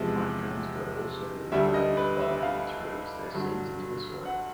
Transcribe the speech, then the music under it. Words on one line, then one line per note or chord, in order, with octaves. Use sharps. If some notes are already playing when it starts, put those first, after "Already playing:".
Pinecones were also liberated by the heat to release their seeds into the soil.
Already playing: E2 C3 F3 G#3
D2 D3 G3 E5
D#5
B4
E5
F5
G2 D3 F#3
F#5